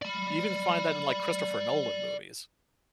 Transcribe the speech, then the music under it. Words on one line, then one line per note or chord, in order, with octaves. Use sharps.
You even find that in, like, Christopher Nolan movies,
D5 B5